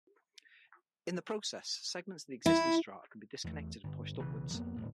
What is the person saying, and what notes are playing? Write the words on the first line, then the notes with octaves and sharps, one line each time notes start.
In the process, segments of the existing strata can be disconnected and pushed upwards.
E4
E2 A3
G1
B1 C#3 E3
F2 A#3 B3
D1 C#2 A2